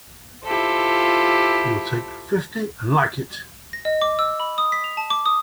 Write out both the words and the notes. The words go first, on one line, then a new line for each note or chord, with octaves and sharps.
You'll take fifty and like it!
E4 F4 G4 A4 C5
A#6
D#5
D6
E6
B5
D#6
B6
F7
A5
D6
D#6